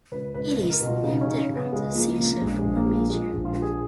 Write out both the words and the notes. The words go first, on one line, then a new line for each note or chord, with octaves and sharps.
It is named after Sisir Kumar Mitra.
C#2 B4
C#2 B4
C#2
A#4
B2
F4
C#3 D#4
C#4
C#3 D#4
C#4
C#3
B3
C#2 G#3
F3 A#3
C#3 A#3
A#3
A#1 G#3
A#1 G#3
A#3
F3 G#3
A#3
F3 G#3
A#1
F4
F3
G#4